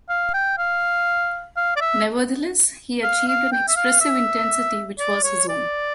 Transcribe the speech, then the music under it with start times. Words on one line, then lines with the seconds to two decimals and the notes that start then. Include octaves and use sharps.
Nevertheless, he achieved an expressive intensity which was his own.
0.09 F5
0.34 G5
0.58 F5
1.57 F5
1.76 D5
1.81 E5
3.03 F5
3.28 F5
3.52 G5
3.68 E5
3.76 F5
4.00 E5
4.99 D5
5.23 C#5
5.48 D5